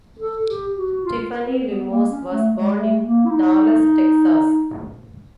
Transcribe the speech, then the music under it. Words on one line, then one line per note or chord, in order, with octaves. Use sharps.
Tiffany Limos was born in Dallas, Texas.
A4
G4
F#4
F4
C4
B3
A#3
C#4
A3
G#3
A3
A#3
E4
D#4